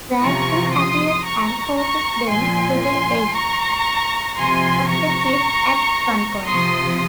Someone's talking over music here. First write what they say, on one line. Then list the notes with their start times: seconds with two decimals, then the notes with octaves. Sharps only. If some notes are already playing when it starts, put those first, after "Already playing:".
Bragdon appears and forces them to the edge of the cliff at gunpoint.
0.20 C3 F3 A#5 C#6
0.72 C6 D#6
1.24 A#5 C#6
1.77 A#5 C#6
2.28 A#2 F3 G#5 C6
2.81 G#5 C6
3.33 A#5 C#6
4.37 C3 F3 G#5 C6
4.89 A#5 C#6
6.45 C3 F3 C6 D#6